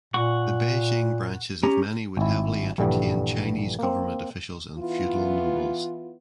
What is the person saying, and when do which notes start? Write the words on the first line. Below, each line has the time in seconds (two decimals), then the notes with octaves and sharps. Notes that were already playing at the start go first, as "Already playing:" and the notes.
The Beijing branches of many would heavily entertain Chinese government officials and feudal nobles.
0.14 A#2 F#5 C#6
1.63 C#4 G4 A#5
2.17 G#1 E4
2.78 A#1 G2 D3 E3 G3
3.79 A#3 C4
4.79 E3 B3 E4 F4